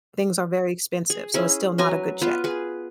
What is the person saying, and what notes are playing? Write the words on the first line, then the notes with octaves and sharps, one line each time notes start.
things are very expensive. So, it's still not a good check.
G#4
C#4 E4 G#4
F#3 B4 G#5 A#5
B3 F4 B4
G#4 B4